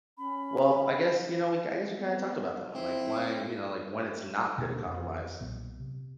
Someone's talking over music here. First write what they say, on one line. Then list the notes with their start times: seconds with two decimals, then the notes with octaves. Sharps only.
well, I guess, you know, we I guess we kinda talked about that one, like, why, you know, like, when it's not good to compromise?
0.18 C#4 B5
1.94 B3 C4
2.75 C4 E4
4.57 D2 B2 A#3 D4
4.85 F2
5.41 B1 A#2
5.79 C3